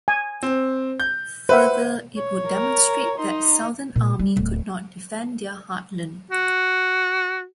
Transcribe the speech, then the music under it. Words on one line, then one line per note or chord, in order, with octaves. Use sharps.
Further it would demonstrate that Southern Army could not defend their heartland.
G#5
C4
G6
B4 C5 E5 F#5
C#5
A#4
D#4 C6
A#2
G3
D1
F#4